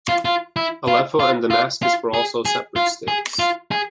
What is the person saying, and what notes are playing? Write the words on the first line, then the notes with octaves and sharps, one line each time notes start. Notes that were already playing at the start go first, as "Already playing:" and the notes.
Aleppo and Damascus were also separate states.
F4
F4
E4
F4
F4
F4
F4
G#4
G#4
F4
G#4
F4
G#4